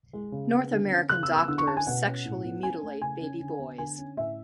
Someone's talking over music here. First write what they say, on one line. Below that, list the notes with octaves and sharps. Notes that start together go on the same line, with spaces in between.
North American doctors sexually mutilate baby boys.
G#3
C#3
B3
D3
C#4
C#3 F#6
E6
B3
E6
D3 E6
C#6
C#4 A5
G#5
B2 F#5
C#4
A2
B3
C#4 G#5
A3
C#3 G#5
C#4
D3
B3
D3 G#5
C#4
A2 E5